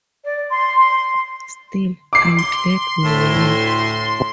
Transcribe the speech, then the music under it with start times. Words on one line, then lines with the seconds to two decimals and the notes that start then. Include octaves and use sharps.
Still, I'm glad we won.
0.24 D5
0.50 C6
0.78 C6
2.13 D6 C7
2.39 C6
3.04 D2 A2